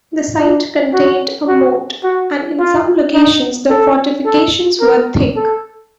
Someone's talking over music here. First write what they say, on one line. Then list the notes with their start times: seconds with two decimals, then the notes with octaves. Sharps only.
The site contained a moat, and in some locations the fortifications were thick.
0.38 D4
0.94 F#4
1.48 F#4
2.04 F#4
2.59 F4
3.14 D#4
3.70 A4
4.26 A4
4.81 A#4
5.36 A4